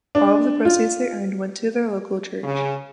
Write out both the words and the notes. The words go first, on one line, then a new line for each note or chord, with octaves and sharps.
All of the proceeds they earned went to their local church.
D4
F4
C#3